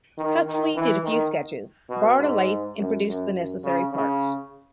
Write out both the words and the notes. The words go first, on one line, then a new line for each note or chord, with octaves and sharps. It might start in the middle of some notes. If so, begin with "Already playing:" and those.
Huxley did a few sketches, borrowed a lathe and produced the necessary parts.
D#3
D#3
E3
D#3
B2
G#2
F#2
F#2
F#2
C#3
C#3